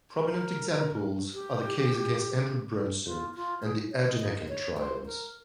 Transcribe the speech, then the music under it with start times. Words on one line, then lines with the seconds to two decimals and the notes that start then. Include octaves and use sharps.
Prominent examples are the case against Andrew Brunson and the Ergenekon trials.
0.20 A#4
1.34 G4
3.06 F4
3.35 F4
3.63 G#4
3.91 C#5
4.06 D#5
4.20 D#5
4.49 C#5
4.77 C5
5.06 A#4